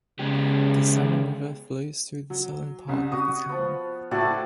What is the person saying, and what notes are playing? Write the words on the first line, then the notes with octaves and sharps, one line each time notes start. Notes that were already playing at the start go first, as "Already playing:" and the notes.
The Salmon River flows across the southern part of the town.
C#3 G#3 B3 G4
F#3
C2 C#3
F#4 D#6
F3 B3
A2 A3 F#4 D5